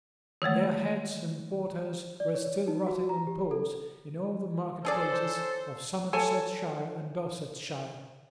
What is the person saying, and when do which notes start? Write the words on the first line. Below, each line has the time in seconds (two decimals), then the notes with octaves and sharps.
Their heads and quarters were still rotting on poles in all the market places of Somersetshire and Dorsetshire.
0.42 D#3 E3 G#3 A3
2.20 D5
2.34 C#5
2.68 D#4
2.86 F#4
3.09 A#5
3.27 G4
3.51 A4
4.85 C#4 G#4 A4 C5 D5
6.13 A4 C#5 G#5 A5